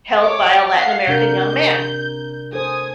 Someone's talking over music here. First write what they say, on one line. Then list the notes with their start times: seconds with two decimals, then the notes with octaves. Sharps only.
held by a Latin American young man.
0.21 C#5 D6
0.75 F5 F#5 C7
1.07 C3 D4 A#4 G6
2.53 A4 C5 G#5 D#6 G#6